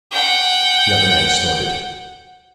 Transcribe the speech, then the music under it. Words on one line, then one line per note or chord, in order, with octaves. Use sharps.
The other man snorted.
F#5 G5